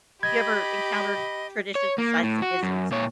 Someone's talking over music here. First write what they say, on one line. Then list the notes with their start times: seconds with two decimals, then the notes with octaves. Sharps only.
you ever encountered traditions besides the gizzards
0.23 G4 D#5 B5 G#6
1.75 C#5
1.98 A#3
2.23 A2
2.42 F#4
2.63 F#2
2.91 A#2 C#5